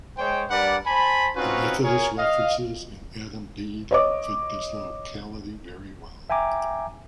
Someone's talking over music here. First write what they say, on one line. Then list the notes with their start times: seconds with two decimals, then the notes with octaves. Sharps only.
The Methodist references in "Adam Bede" fit this locality very well.
0.18 G#3 C5 C#5 G5
0.50 G3 D4 A#4 B4 D5 F#5
0.87 C5 G#5 A5 B5
1.36 C4 C#4 D#4 F4 F#4 B4
1.83 G#4 A#4 C#5
2.18 D#5 F5
3.91 C#5 D#5 D6
6.30 E5 G5 G#5 A#5 D6